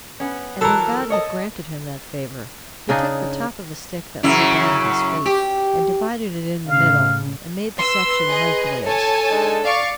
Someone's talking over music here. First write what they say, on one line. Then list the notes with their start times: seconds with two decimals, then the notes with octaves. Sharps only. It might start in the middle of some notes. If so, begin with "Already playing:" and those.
And when God had granted him that favor, he took the top of a stick that lay down at his feet, and divided it in the middle, and made the section lengthways.
0.20 B3 C#4
0.61 E3 F#3 A4 A#4
1.10 C#5 D#5 A5
2.89 C#3 D4 D#4 G#4
4.23 F#2 C#3 E4
5.26 G4
6.69 A2 C#3 F5
7.79 B4 C6 E6
8.29 G#4 D#5
8.86 A4 C#5 G#5 A5
9.30 G#3 D4 D#4
9.65 D5 F5 C#6